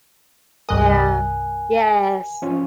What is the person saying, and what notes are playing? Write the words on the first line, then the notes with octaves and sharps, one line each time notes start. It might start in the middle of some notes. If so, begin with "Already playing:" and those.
Yeah. Yes.
C2 G2 A#4 D#5 G#5 F#6
F3 C#4 F4